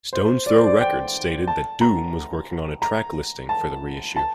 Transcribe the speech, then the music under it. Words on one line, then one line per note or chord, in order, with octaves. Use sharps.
Stones Throw Records stated that Doom was working on a track-listing for the reissue.
C5
D5
C5
D5
G5
A5
A#5
A#5
A5
A5